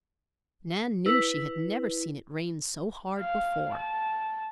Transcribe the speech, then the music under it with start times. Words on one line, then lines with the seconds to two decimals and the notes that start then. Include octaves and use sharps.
Nan knew she had never seen it rain so hard before.
1.06 E4 B4
3.18 F5
3.74 A5